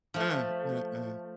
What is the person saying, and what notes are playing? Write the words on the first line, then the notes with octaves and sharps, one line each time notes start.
Mm, mm-mm.
F3 A3